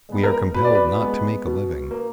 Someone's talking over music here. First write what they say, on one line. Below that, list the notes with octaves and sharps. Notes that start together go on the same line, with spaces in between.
We are compelled not to make a living.
G#3 B3
A#4
B2 B4
D5
B4
G#3 B3
B2
A#3